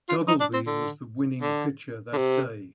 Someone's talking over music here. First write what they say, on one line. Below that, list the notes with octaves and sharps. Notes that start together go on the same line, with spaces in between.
Duggleby was the winning pitcher that day.
F4
D#4
D4
C4
D3
D3
D3
C3